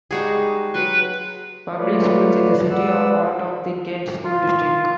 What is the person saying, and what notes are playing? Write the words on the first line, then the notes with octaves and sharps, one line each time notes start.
Public schools in the city are part of the Kent School District.
G3 G#3 D#4 F#4 G#4 A#5
F#3 B4 C6 C#6
F#3 A3 F4 B4 C#5 D5
G#3 B4 D5 F#5 E6
F4